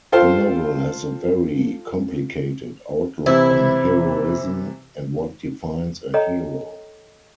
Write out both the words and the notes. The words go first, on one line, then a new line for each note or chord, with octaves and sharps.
The novel has a very complicated outlook on heroism and what defines a hero.
F4 A4 C5 F5 G5 C6
C3 E3 E4 G4 C5
A4 C#5 D#5 G5 A#5